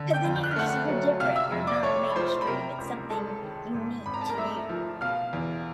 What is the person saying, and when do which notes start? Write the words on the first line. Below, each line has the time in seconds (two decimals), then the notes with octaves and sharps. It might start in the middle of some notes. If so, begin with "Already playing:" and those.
'Cause then you're just you're different. You're not mainstream. It's something unique to you.
Already playing: D3
0.13 G5 G6
0.24 F2
0.36 G6
0.43 F#6
0.51 F6
0.56 A3 F#5 F#6
0.88 F#3
1.20 C3 F5 F6
1.36 E5 E6
1.52 F2
1.67 D5 D6
1.83 A3 C#5 C#6
2.10 B5
2.16 F3 C5 C6
2.42 B5
2.47 C3 A#4 A#5
2.78 C#2
3.10 G#3 A4 A5
3.43 D#3
3.74 G#2
4.06 G#1 B5
4.14 A#5
4.21 A5
4.29 A#4 A#5
4.38 A3 E5 E6
4.69 F3
5.01 B2 F5 F6
5.33 E2